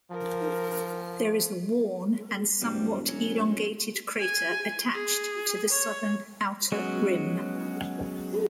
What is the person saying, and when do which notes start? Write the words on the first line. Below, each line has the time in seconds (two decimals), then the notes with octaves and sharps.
There is a worn and somewhat elongated crater attached to the southern outer rim.
0.11 F3 A#4
2.61 E1 F#2 G3 C4
3.08 F#3 C#4
4.19 G#5
4.93 G#4
5.70 C#5
6.72 F#3 G#3 B3 C#4 F#4